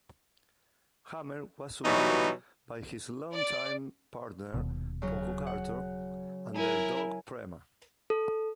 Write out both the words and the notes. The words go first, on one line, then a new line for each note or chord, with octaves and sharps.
Hammer was survived by his long-time partner, Poco Carter, and their dog Prema.
B2 E3 F#3 G3 D#4
D5
D#1 D#2 B2
C#3 F#3
F#5
E4 A#4 G#5
A4